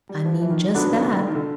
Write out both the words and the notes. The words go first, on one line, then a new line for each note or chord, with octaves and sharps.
"I mean just that."
G3
F3
E3
D#3
D3 F#3 B3 D4
D#3
D3
D#3
D3
D#3
D3
D#3
D3